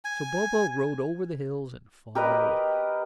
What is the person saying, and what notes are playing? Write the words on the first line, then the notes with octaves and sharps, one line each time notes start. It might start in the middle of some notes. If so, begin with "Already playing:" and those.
So Bobo rode over the hills and far away.
G#5
G4 A#4 B4 D#5